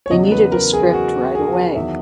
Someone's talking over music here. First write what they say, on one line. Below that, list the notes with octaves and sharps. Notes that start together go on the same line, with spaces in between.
They needed a script right away.
C#5
E2 C#3 F#3 D#5
B4
A#4
G#4
F#4
G#4
E2 D#3 F#3 E5